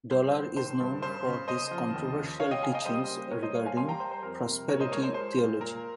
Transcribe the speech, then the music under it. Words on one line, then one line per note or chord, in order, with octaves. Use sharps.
Dollar is known for his controversial teachings regarding prosperity theology.
G2 C5
D#3
D#3 C5
G2
C#3 C5
C#3
C#3 C5 D#5
F3
D#2
C#3
C#3 C#5 F5
D#5 G5
C#3 F5 G#5
D#5 G5
G3 C5 D#5
A#3
G2 A#4 C#5
C5 D#5
A#3 C#5 F5
F5 G#5
G3 G#5 C6
G5 A#5
G3 C5
C5
F2 A#4
C3
A#2 A#4 C#5
C5 D#5
G#3 A#4 C#5
C5
G#3 C5
A#2
A#2 A#4